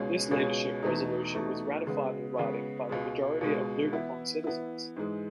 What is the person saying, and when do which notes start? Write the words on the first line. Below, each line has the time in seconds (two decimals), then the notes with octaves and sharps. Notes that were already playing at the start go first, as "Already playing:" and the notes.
This leadership resolution was ratified in writing by the majority of Lubicon citizens.
Already playing: C#2 B2 G#3 C#4 G#4
0.31 C#2 B2 G#3 C#4 G#4
0.83 E2 B2 A3 D#4
1.35 E2 B2 A3 D#4
1.87 C#3 G#3 B3
2.38 C#3 G#3 B3
2.89 C#2 B2 G#3
3.41 C#2 B2 G#3
3.93 E3 B3 E4
4.44 E3 B3 E4
4.96 G#2 E3 G#3